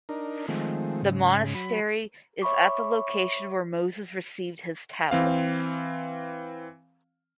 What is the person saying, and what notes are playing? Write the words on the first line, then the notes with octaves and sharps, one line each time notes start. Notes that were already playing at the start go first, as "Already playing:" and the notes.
The monastery is at the location where Mosses received his tablets.
D4 D#4 A#4
D#3 F3 G#3 A3 C4
G#2 C#3
F#3 B5
C#5 E5 B5 C#6 D6
E3 C4 F5